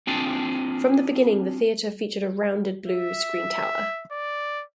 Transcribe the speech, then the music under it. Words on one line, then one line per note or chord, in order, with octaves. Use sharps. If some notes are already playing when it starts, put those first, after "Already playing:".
From the beginning, the theater featured a rounded blue screentower.
C4 D4 F4 G#4 G5 A5
E5
D5